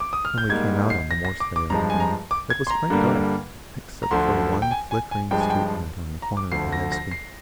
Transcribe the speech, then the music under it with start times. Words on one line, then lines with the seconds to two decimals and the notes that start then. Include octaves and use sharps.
When we came out on the Morskaya again it was quite dark, except for one flickering street-light on the corner of the Nevsky.
0.00 D6
0.13 D#6
0.25 F6
0.38 G6
0.49 G#2 G3 A#3 G#6
0.90 C7
1.11 A#6
1.25 A#6
1.40 D6
1.56 D6
1.70 G2 F3 G#3 A#5
1.90 G#5
2.00 A#5
2.31 D6
2.50 G#6
2.67 C6
2.70 A#5
2.90 G2 D3 G3 A#3
4.03 A#5
4.11 D2 D3 F3 C6
4.62 G5
4.71 G#5
4.91 G#5
5.11 G#5
5.31 G2 F3 G#3 G5
5.41 G#5
5.50 G5
6.22 A#5
6.37 D6
6.52 D2 D3 F3 C7
6.73 A#6
6.92 A#6
7.11 C7